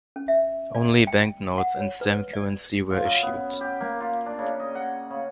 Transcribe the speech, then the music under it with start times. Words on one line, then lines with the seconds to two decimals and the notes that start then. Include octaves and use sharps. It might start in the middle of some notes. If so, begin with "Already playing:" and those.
Only banknotes and stamp currency were issued.
0.16 C#4
0.28 E5
0.75 D5
1.07 G5
1.58 F#5
1.80 C#5
2.01 B4
2.33 D5
2.90 F4
3.05 F#2
3.23 B3
3.61 G4
3.80 A#3
4.00 F4
4.26 D4
4.39 C#3
4.60 D#5
4.75 F#5
5.10 C#3